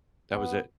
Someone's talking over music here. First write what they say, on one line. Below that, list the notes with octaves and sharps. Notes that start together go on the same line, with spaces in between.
That was it.
B3